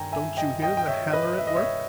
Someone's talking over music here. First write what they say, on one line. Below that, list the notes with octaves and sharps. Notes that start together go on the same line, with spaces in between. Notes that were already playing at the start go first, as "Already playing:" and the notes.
Don't you hear the hammer at work?
Already playing: G2 D#3 G5 G#5 A#5
E5 G#5
D#5 G5
D#5 G5
G5
C#5 E5
B4 D#5
E5
D#5
C#5 E5